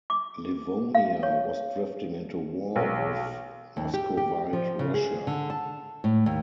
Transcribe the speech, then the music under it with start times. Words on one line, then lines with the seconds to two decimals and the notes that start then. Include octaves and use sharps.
Livonia was drifting into war with Muscovite Russia.
0.10 D6
0.95 F5
1.23 C#5
2.76 B1
3.77 D#2
3.94 G4
4.17 G4
4.53 F3
4.79 C#3
4.94 G#4
5.27 D3
5.50 A5
6.04 A2
6.26 D#2